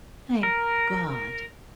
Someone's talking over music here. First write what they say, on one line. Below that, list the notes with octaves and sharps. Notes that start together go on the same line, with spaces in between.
"Thank God!"
A#4